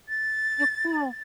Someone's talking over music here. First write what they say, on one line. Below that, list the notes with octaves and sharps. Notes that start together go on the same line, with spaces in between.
Oh, cool.
A6